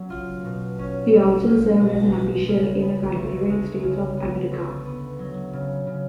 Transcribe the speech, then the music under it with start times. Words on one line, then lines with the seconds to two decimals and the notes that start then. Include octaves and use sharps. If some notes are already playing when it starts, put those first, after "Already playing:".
He also served as an official in the Confederate States of America.
Already playing: F#3 C#4
0.10 F4
0.45 B2
0.79 C#4
1.13 F#3
1.46 F4
1.80 B2
2.13 G#3
2.48 C#3
2.82 B3
3.15 D2
3.50 G#3
3.83 C#3
4.17 B3
4.51 D2
4.85 B3
5.19 F#3
5.53 C#3
5.87 C#3